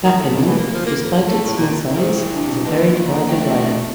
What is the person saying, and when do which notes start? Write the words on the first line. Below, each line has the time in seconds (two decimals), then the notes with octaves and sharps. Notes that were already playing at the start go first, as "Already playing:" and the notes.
Papineau, despite its small size, is a very divided riding.
0.04 D#3
0.18 A3
0.33 E2
0.45 E3
0.58 A#3
0.73 F3
0.86 A#3
0.98 F2
1.27 A3
1.44 A2
1.57 A#2
1.96 E4 A#4 C5
2.34 D4
2.65 E3 A#3 D#5
3.06 D#4
3.29 A3 D4 D#5 G5